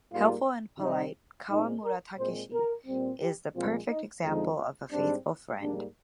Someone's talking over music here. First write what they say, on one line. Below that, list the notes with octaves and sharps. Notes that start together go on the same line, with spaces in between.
Helpful and polite, Kawamura Takashi is the perfect example of a faithful friend.
G#2 G3 A#3 F4
C3 G3 C4 D#4
A#2 G#3 C4 D#4
A#4
A#2 G#3 C4 C5
A#4
A#2 G3 C4
G4
A#2 F3 G#3 C4 F4
D#4
F2 D3 F3 G#3 D#4
G#2 G3 C4 D4
G#2 G3 A#3 D4